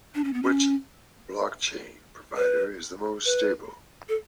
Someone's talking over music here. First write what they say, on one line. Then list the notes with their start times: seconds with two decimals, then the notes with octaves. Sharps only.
Which blockchain provider is the most stable?
0.15 D4
0.24 C#4
0.33 B3
0.43 C#4
2.37 B4
3.25 B4
4.09 A4